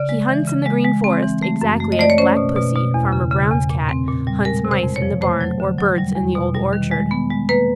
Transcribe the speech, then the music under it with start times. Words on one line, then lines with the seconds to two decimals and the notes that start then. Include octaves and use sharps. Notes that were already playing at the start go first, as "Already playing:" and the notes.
He hunts in the Green Forest exactly as Black Pussy, Farmer Brown's Cat, hunts Mice in the barn or Birds in the Old Orchard.
Already playing: C#3 D5
0.09 G#3
0.29 E3
0.47 C#3
0.66 G#3
0.85 G#3
1.04 C4
1.23 E3
1.43 A3
1.61 F#2
1.80 A3
1.92 D#5
1.99 A3 D5
2.10 C#5
2.18 C#4 C5
2.37 B2
2.56 B2
2.75 B2
2.94 E2
3.12 C#3
3.31 C#3
3.51 E2
3.70 A#2
3.89 C4
4.08 A#2
4.27 G3
4.45 G#3 A#4
4.65 C3
4.71 C5
4.83 F2
4.96 C#5
5.02 F3
5.21 A3 C5
5.41 F#3
5.60 D3
5.79 F#3
5.98 G3
6.16 E2
6.35 B2
6.54 G3
6.73 D#3
6.91 G#3
7.11 B3
7.30 G#3
7.49 A#3 B4